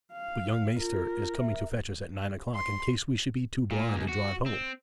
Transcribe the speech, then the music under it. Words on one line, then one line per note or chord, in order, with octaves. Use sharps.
But young maister is coming to fetch us at nine o'clock, in case we should be too blind to drive home.'
F5
F4 A#4
E5
C6
A#2
C#2
F#4
C4